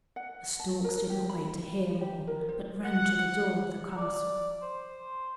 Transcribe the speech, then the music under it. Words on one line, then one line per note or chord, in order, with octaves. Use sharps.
The storks did not wait to hear more, but ran to the door of the castle.
F#5
A5
A#4
G4
B5
G4
A#4
C5
F#5
D5
C5